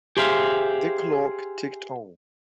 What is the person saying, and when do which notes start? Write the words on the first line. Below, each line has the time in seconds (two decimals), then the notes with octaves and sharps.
The clock ticked on.
0.17 G4 G#4 C5 E5 F5